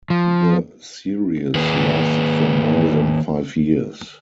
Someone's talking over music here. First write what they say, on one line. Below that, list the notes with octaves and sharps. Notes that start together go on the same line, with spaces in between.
The series lasted for more than five years.
F3
D#3 A#3 G#4 B4